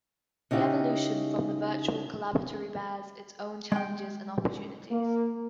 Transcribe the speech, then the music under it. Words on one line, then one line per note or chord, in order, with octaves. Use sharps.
The evolution from the virtual collaboratory bears its own challenges and opportunities.
C#3 D#4 E4 G4 F#5
G#3 G5
A#3